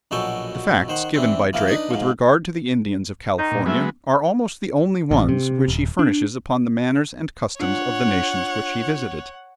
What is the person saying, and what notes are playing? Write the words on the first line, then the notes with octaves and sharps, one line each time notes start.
The facts given by Drake with regard to the Indians of California are almost the only ones which he furnishes upon the manners and customs of the nations which he visited.
A#1 B2 F#3 A4 G5 G#5
D#3 C5 F#5
E3 C4 D4
E3 F3 A#3 A#4
D4 D#4 B4
G#2 F3
D#3 D#4
A#2
F#3 G#3 A3 B3 A#4 E5
A1
C3
D#1
D4
D4 F4 C#5 F#5